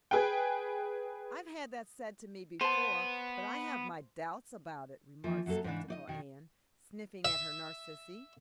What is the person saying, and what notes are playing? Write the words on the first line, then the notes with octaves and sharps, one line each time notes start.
"I've had that said to me before, but I have my doubts about it," remarked skeptical Anne, sniffing at her narcissi.
G#4 B4 G5
B3 C5 A5
E3 F3 A#3
F#2 F#3 A#3 A4
G#2 C#3 E3 D4
D#4 D5 D#5
B2 D#3
E5